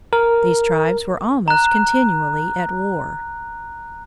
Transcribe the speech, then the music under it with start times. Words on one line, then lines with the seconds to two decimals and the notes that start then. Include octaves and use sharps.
These tribes were almost continually at war.
0.13 A#4
1.48 A#5 F#6